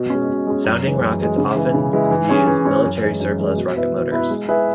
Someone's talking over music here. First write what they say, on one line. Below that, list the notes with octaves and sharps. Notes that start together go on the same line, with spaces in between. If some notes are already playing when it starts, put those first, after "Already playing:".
Sounding rockets often use military surplus rocket motors.
Already playing: B2
G#3 C#4
B2
G#3 C#4
F#2
E3 G#3
F#2
E3 G#3
C#3
E3 G#3 E4
C#3
E3 G#3 E4
E3
C#4 G#4 C#5
E3
C#4 G#4 C#5
F#2
E3 G#3
F#2
E3 G#3
B2
B3 E4 B4 E5
B2
B3 E4 B4 E5
G#3
E4 G#4 B4 E5